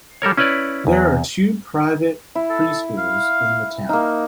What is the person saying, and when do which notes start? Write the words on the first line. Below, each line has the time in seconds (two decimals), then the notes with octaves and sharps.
There are two private pre-schools in the town.
0.22 G3 A4 A#4 C#5
0.37 C#4 E4 B4 C#5 D5
0.87 E2
2.35 E4
2.50 A4
2.98 F5
3.89 A#3 D#4 F5